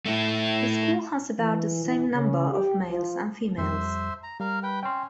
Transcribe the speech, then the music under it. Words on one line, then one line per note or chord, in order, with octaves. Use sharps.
The school has about the same number of males and females.
A3 E4
E3
E3
C#3
G4
F3
F2 G3 C5 E5
A#5
G3 A#4 F5
B4 G5
C#4 G5 C6